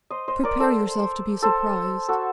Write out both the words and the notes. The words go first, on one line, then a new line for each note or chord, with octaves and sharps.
Prepare yourself to be surprised.
C5 D#5
C5 D#5
A#4 D5
A4 C5
A4 C5
F#4 A4